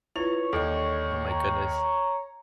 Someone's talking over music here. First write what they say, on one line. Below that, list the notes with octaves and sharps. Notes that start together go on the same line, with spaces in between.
Oh my goodness.
D4 E4 F4 B4 C#5 F7
D#2 D3 D#3 A4 D#5
A#5